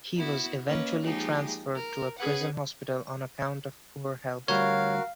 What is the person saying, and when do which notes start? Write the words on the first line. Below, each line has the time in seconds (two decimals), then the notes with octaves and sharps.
He was eventually transferred to a prison hospital on account of poor health.
0.16 B3 E4 F#4
0.67 A#3 C#4 B4 D#5
1.02 F3 G#3 A#3 D#4 G4 G#4
1.76 A#4
2.18 C#4 G#4 B4 F#5
4.48 D2 G3 F#4 A#4 C#5 F5